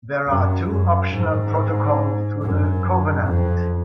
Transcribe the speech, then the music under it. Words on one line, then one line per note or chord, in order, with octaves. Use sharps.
There are two Optional Protocols to the Covenant.
F#2
F#2
G#2
F#2
F2